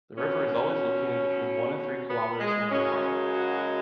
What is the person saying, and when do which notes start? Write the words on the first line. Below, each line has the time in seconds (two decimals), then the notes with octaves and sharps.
The river is always located between one and three kilometers from the Marne.
0.17 B2 F#3 C#4
2.08 B3
2.39 G#3
2.70 F#2 C#3 G#3 C#4
3.34 F#4